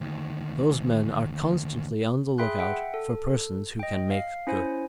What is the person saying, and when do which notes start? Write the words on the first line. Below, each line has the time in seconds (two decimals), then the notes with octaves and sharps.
Those men are constantly on the lookout for persons who can make good.
0.01 D2 D#3
2.38 G#4 E5 G5 B5 C6 F#6
2.59 E5 F#5 G5
2.94 A4
3.80 D#5 G5
4.11 F5 C7
4.47 C#4 E4 C5 G#5